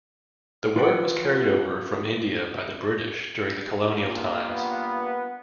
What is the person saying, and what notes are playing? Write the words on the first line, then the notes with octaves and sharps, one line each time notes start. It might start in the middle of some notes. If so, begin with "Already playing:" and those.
The word was carried over from India by the British during the colonial times.
F4 F#4 B4 D5 F#5 G5
G2 A#3 F4
B3